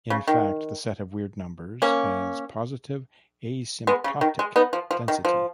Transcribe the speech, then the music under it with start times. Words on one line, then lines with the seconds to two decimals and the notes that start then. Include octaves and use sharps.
In fact, the set of weird numbers has positive asymptotic density.
0.10 C#3
0.28 D#3
1.82 A#3 C#4
3.87 G#3 B3
4.04 C#3
4.21 D#3
4.39 G#3
4.56 B3 D#4
4.73 F3
4.91 F3
5.08 D#3
5.25 F3